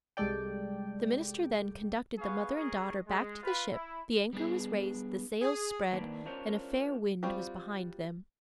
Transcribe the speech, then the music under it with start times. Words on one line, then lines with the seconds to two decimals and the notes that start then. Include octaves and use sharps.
The minister then conducted the mother and daughter back to the ship; the anchor was raised, the sails spread, and a fair wind was behind them.
0.17 C2 G3 G#3 A4 D5 G5
2.18 A3 B3 G#4 F5 C#6
2.55 C#4 G#4 A#4 D#5 C#6
3.06 G#3
3.42 F4 B4
3.72 E4
4.33 G3 B3 D4 G#4
5.42 G#4
5.93 D#3 A#3 C4 D4 B4 D5
6.25 C#4 D4 F4 A#4 C5 C#5
7.23 G3 C4 F4 F#4 C5